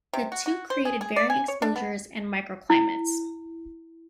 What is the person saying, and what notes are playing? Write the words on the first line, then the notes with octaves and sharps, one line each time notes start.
The two created varying exposures and microclimates.
C3
F#4
F#4
C5
G#4
G#4
D5
G#5
C#5
D4
B3
E4